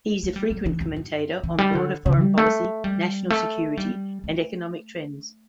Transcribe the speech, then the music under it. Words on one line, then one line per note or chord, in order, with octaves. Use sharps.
He is a frequent commentator on broader foreign policy, national security, and economic trends.
A3
G3
F#3
E3
F#2
F#2
E3
G3
D3
C#3
G3
A3
G3
A3
G3
A3